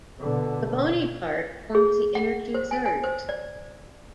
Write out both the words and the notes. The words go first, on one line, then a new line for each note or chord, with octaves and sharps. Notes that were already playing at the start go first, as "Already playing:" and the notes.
The bony part forms the inner two thirds.
B2 D3
G#4
F#5
C5
G#5
G#5
C5
D5